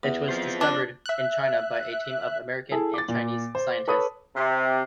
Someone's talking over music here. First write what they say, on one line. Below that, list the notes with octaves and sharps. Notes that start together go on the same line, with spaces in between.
It was discovered in China by a team of American and Chinese scientists.
E2
C4 F4 C5
D4 A5 F#6
E5 F#6
E4 G#4 A4
D6 A6
A#2
C5
A4 B4 C#5 B5 D#6
C3